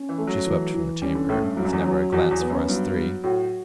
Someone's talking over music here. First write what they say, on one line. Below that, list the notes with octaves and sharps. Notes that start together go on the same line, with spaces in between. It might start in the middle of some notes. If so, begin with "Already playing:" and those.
She swept from the chamber--with never a glance for us three.
Already playing: C#4
E3
A3
F#3
E3
E3
G3 C#4
D3
A2 A3
G2
G2 F#3
F#2
E2
F#2 F#3
E2 F#4
E2
B3
F#2
G2 F#3
F#3
A2 F#4